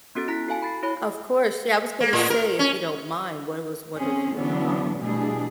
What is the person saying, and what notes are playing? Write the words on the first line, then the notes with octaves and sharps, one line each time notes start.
Of course, yeah, I was gonna say if you don't mind what it was one of your um
B3 C#4 F#4 A4 A6
E4 A#5 F#6 B6
F#4 A4 F5 G#5 A5 D7
B5 A6 C7
E4 C#5 B5
A#3
A2
A#4
C#4
F3 C4 C#4 G#4
D3 E3 F#3 B3 C#4 D4
B2 E3 G3 A3 D4 G#4